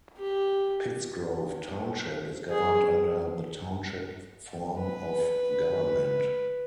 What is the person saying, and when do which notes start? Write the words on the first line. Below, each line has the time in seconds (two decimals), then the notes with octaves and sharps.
Pittsgrove Township is governed under the Township form of government.
0.18 G4
2.50 G#4
4.81 B4